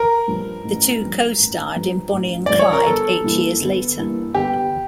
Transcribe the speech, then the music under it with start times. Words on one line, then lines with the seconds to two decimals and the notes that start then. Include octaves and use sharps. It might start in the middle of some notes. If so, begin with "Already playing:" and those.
The two co-starred in "Bonnie and Clyde" eight years later.
Already playing: A#4
0.28 G2 F3
0.64 A1
1.02 G2 F3
1.39 A1
1.76 G2 F3
2.13 A1
2.46 G2 F3 D5
2.59 C#5
2.73 A#4
2.86 G1 A4
3.24 G2 E3 A#3
3.61 G1
3.97 G2 E3 A#3
4.35 G1 G4